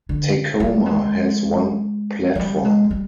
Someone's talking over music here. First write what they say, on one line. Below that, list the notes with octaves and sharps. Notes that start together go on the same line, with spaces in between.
Tecoma has one platform.
D3
G3
G#3
F3
G3
G#3
G3